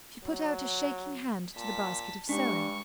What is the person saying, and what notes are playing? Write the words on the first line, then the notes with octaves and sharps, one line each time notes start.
She put out a shaking hand to the basket of sewing.
F#3
A#2 A5 B6
G2 G#3 D4 G4 C#6